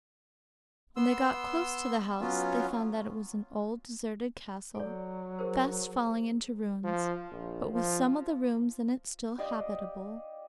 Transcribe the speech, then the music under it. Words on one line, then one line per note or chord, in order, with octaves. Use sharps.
When they got close to the house they found that it was an old deserted castle, fast falling into ruins, but with some of the rooms in it still habitable.
B3 C6 E6
F#3 B3 C#4 F4
F#3 A4 D5
G#4 A#4 C5
F3
A#1
F3
G4 D5 D#5 F5